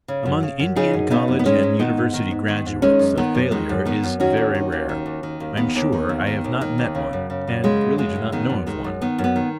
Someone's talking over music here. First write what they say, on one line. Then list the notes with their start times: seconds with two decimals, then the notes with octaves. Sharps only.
Among Indian college and university graduates a failure is very rare; I am sure I have not met one, and really do not know of one.
0.08 C#3
0.26 F#2
0.43 C#3
0.59 F#2
0.76 C#3 D#4 G#4
0.94 F#2
1.10 C#3 B3 D#4
1.28 F#2
1.39 B3
1.46 D#3 G#3 C#4
1.63 G#2
1.79 D#3 B3 D#4
1.97 G#2
2.13 D#3
2.31 G#2
2.48 D#3
2.66 G#2
2.82 D#3 G#3 C#4
2.99 F#2
3.17 D#3 B3
3.35 F#2
3.51 D#3 G#3
3.69 F#2
3.86 D#3 B3
4.03 F#2
4.20 D#3 C#4 F#4
4.37 D#2
4.55 D#3
4.72 D#2
4.89 D#3
5.06 D#2
5.23 D#3
5.40 D#2
5.57 D#3 B3
5.75 D#2
5.92 D#3
6.09 D#2
6.27 D#3
6.44 D#2
6.61 D#3
6.78 D#2
6.95 C#3
7.13 F#2
7.30 C#3
7.47 F#2
7.63 C#3 G#3
7.81 F#2
7.98 C#3 G#3
8.16 F#2
8.32 D#3 B3
8.50 F#2
8.67 D#3 G#3
8.84 F#2
9.01 D#3 B3
9.18 F#2
9.24 B3
9.36 D#3